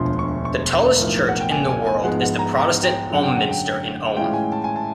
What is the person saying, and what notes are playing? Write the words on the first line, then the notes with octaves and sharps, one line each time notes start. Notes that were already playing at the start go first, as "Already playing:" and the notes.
The tallest church in the world is the Protestant Ulm Minster in Ulm.
Already playing: E1 D2 D3 F3 C6
C#6
C#6
B1 A2 F3 A#3
F#5
G5
G#5
G#5
G#5
G#2 F3 G#3 B3 F#5
F#5
A#5
A#5
G5
F#2 D3 F#3 F#5
G5
F#5
G5
A2 E3 G#3 C#4 F4 G5
G#5
A5
G#5
A5